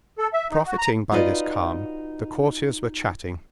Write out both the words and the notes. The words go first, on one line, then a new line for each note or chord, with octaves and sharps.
Profiting by this calm, the courtiers were chatting.
A4
E5
D#4
F#4
A#5
D#4 F4 F#4 B4 D5 D#5